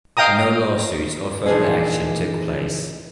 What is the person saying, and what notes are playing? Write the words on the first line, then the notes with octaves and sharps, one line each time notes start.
No lawsuits or further action took place.
D#5 F5 G5 A#5 D#6
A#2 E3 F3 D4 D#4 G#4